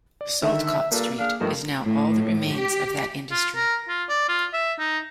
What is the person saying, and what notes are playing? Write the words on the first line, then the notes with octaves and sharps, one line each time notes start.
"Saltcote Street" is now all that remains of that industry.
D5
D3 D#3 E5
G2 A#2 A#3 A4
D4 G#4 F5
G2 D#3 F3 A3
A2
G4
F4
A#4
F4
D5
F4
E5
D#4